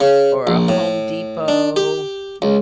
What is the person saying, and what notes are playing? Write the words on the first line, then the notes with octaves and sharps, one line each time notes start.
or a Home Depot
C#3
A#1
A2
D4
G4
C#2